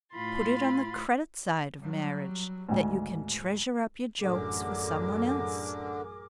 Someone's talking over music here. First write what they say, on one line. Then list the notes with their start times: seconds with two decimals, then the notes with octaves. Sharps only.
Put it on the credit side of marriage that you can treasure up your jokes for some one else.
0.15 A2 F4 B5 C6 A6
1.78 F#3 G3
2.69 G#1 D2 G#2
4.20 A1 F#2 D3 G#4 A#4 D6